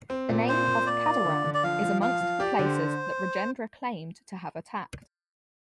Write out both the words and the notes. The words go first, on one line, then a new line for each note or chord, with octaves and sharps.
The name of "Kadaram" is amongst the places that Rajendra claimed to have attacked.
C4
A#2
C4 C5
A#2
A#3 D5
F4
D3
D3
D5
F3 F5
F3
F3 F5
F3
G4 D5
D3 D5
C5